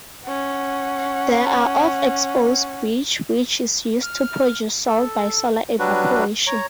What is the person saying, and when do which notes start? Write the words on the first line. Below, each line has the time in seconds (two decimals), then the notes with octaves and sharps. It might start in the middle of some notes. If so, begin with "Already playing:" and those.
There are of exposed beach which is used to produce salt by solar evaporation.
0.24 C#4 F#5
4.03 F6
4.86 A4
5.79 F#3 G3 D4 F#4 B4
6.47 C#5 A#5